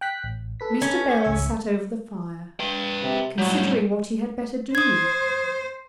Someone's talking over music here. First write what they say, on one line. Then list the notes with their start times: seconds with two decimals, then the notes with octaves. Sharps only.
Mr. Bell sate over the fire, considering what he had better do.
0.01 G5 F#6 B6
0.24 A1
0.60 A4 B4 B6
0.82 C#4
1.25 G#1 C#2 E5
2.60 B4 G5
3.03 C3
3.39 A2 F#3 G3
4.75 C5 D#6 G#6